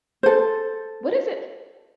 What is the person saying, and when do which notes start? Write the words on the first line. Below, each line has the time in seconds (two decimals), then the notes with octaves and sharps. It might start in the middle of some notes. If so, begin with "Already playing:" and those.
What is it
0.23 A4 C5